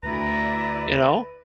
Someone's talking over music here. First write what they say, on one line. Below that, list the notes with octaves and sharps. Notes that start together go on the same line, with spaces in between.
you know?
D2 E4 B4 D5 A#5